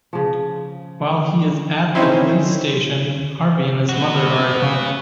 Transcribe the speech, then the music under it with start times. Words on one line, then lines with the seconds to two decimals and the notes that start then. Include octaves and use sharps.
While he is at the police station, Harvey and his mother are at home.
0.13 C#3 F3
1.95 C4 C#4 D#4 E4 C5
3.89 B3 F#4